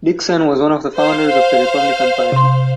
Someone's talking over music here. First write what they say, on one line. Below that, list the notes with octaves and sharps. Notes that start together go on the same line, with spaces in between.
Dickson was one of the founders of the Republican Party.
C5 F5
C3 C6